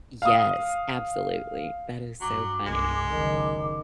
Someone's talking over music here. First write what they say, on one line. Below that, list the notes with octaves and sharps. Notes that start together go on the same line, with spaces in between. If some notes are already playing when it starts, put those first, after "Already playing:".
Yes. Absolutely. That is so funny.
F5 D#6
G2 F#3 D6
C2 G2 G#3
F#1 D#3 D6